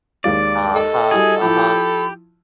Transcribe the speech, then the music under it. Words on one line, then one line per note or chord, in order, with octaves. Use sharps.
Uh-huh, uh-huh,
D#2 G#3 D5 F5
A4 D#5
G3 E4 F#4 G#4
F3 E4 G4 B5